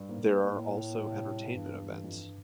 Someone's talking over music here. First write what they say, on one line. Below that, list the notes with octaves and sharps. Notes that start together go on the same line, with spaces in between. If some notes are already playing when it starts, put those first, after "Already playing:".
There are also entertainment events.
Already playing: G2
G#2 A#3
G#2 A#3
G2
G#2 A#3
A2 A#3
A#3
A#3
C3
G3
G3
E2 G2
G3
E3
F2